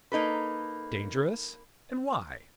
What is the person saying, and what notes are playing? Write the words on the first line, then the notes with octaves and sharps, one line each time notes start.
"Dangerous!--and why?"
A#3 D#4 A4 B4